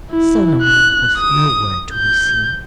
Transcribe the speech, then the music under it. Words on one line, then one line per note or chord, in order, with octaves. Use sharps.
Solomon was nowhere to be seen.
E4
F#6
D#6
G6